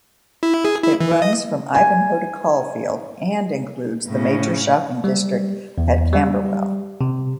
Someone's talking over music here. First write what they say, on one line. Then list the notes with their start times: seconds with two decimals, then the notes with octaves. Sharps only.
It runs from Ivanhoe to Caulfield and includes the major shopping district at Camberwell.
0.43 E4
0.65 G#4
0.82 E4
1.00 E3
1.22 D#5
1.75 G#5
4.08 A2 C#3
5.04 G3
5.78 E2
6.13 G3
7.01 C3